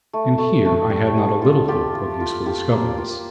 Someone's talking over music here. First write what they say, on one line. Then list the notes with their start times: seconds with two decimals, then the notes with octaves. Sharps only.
And here I had not a little hope of useful discoveries.
0.13 A3
0.38 A3
0.65 A3
0.90 G3
1.16 G3
1.42 F4
1.68 F4 G4
1.94 F4
2.20 F4
2.46 F4 G4
2.72 A#3
2.98 F4